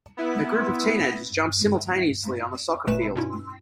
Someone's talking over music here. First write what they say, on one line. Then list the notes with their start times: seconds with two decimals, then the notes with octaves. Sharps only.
A group of teenagers jump simultaneously on a soccer field.
0.17 B3 E4
2.87 G1 A#2 A3 B4 E7
3.16 G2 B2 C#4 D#4 E4